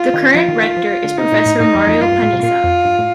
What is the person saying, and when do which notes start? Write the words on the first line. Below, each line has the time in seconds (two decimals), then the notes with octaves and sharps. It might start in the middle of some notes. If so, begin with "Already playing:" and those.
The current Rector is Professor Mario Panizza.
Already playing: F4
0.14 D#3
0.34 F3 F4
0.48 D#3
0.63 D#3
0.77 F3
1.04 D3
1.18 C3 D#4
1.32 A#2
1.46 A2
1.60 A2 D#4
1.74 F2
1.87 F2
2.01 G2 F4
2.12 G2
2.22 A2
2.33 C3
2.43 A#2 F4
2.64 F2
2.85 G2
2.98 A2